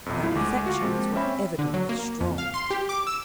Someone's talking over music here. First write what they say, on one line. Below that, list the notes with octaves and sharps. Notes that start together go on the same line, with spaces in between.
Her affections were evidently strong.
B1 F2
G3 E4 F4
D2 G#3 A3 D6
F4 F#4
F3 G#3 A#3 C4
C4 C#4 E5 B5
D3
F#3
A#3
F2
F5
C6
G4
D6
E6